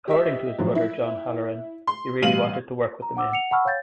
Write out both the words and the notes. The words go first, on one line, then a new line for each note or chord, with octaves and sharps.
According to his brother John Halloran, he really wanted to work with the men.
G4 D#5 E5
A2 F3 F#3
E4
C6
A1 G3 F5 D#7 F#7
A#5
F#5 D6 E6
F#5 C#7 F7
F#5 A5 B5 C#6 E6 F6
C#5 F5 G5 G6 A6